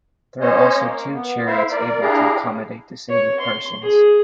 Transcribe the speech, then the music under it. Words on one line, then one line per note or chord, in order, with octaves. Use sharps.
There are also two chariots able to accommodate disabled persons.
C#4 C5 C#5 D#5
A#3
B3
E4 C5 E5 F5
A#4 D5
D4 E4 G4 G#4 F5 A#5
C#5
C6
G#4